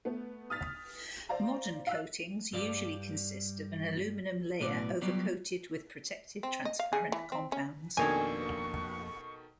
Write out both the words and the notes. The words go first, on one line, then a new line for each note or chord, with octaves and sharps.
Modern coatings usually consist of an aluminum layer overcoated with protective transparent compounds.
A3 B3
D#6 F6 A6 B6
C5 D5 F5 A#5
F5 E6 F#6
G2 G3 D5 F5
B1 A2 B3 F#4 D5
F#3 G3 B3 F4 G4 D5
C4
D#5
F5
G#4
E3
C4
C#4
F2 B2 D#3 A#3 D4 A4 G#5 C#6